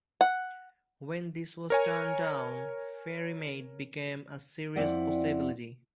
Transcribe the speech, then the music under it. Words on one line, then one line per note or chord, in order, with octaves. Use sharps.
When this was turned down, Ferrymead became a serious possibility.
F#5
A#4 C#5 G#5
F2 C4 E4 D5 F#5